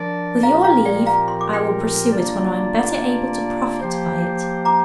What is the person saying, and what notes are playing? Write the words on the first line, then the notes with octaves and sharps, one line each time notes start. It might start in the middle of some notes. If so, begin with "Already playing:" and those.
With your leave, I will pursue it when I am better able to profit by it.
Already playing: F3 D4 A#4 D5
A#2 F3 C4 G4 A#4 F5 A#5
F5 A#5
D5 G5
F5 A#5
C6
D6
G5 C6
C3 A#3 D4 F4 D5
F3 A#3 G4 C5
A#5 D6